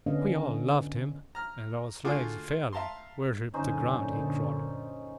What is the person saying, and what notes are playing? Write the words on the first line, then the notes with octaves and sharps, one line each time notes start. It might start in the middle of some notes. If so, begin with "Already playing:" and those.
We all loved him, and our slaves fairly worshipped the ground he trod.
D3 B3 C#4 D4 D#5 F5
A#5 F6
D3 A3 F4 F#4 G#4 D6
E5 F5 A5 A#5 C6
F#2 A#2 D3 C#4 D#4 C5